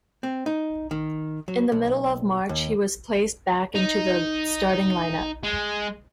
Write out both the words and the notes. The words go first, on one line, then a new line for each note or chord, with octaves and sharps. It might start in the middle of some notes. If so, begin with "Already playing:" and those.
In the middle of March, he was placed back into the starting lineup.
C4
D#4
D#3
F#3
B1
D#2
D#4
G#3